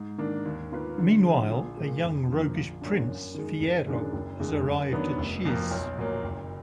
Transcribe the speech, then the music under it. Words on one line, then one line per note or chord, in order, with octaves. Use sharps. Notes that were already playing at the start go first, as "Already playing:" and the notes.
Meanwhile, a young roguish prince, Fiyero, has arrived at Shiz.
Already playing: G#2
D#3 A#3 D4
D#2
D#3 A#3 F4 B4
D3
F3 G#3
A#1
A#2 G#3
F2
D3 F3 A#3
A#1
A#2 F#3 D4
F#2
D#3 G#3
F#1
F#2 D#3 G#3 D4
F#1
F2 D3 G#3
F#2
D#3 F#3 B3 D4
F1
F2 F3 A#3
B1
A#2 F#3 A#3
F#1